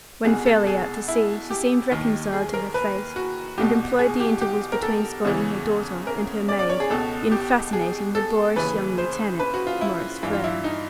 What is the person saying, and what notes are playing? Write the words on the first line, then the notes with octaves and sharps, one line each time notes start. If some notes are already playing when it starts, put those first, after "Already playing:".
When fairly out to sea she seemed reconciled to her fate, and employed the intervals between scolding her daughter and her maid, in fascinating the boorish young Lieutenant, Maurice Frere.
C2 B2 G#4
A4
G#4
E4
G4
D#2 D#3
G#4
A#4
B4
F#4
C2 B2 G4
G#4
G4
G4
A#4
A4
E2 C#3 E3
A#4
D5
D5
C#5
G#4
C#2 B2 A4
G4
G#4
A4
D#2 C#3 E3 B4
C5
B4
F#4
F4
E4
G2 E3 F4
F4
E4
D#4